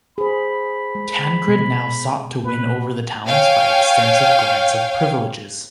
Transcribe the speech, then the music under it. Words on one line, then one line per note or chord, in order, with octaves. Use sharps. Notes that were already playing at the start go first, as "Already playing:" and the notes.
Tancred now sought to win over the towns by extensive grants of privileges.
G#4 C5 B5
G#3
B2
A#2 B4
C#5 F5 G5 G#5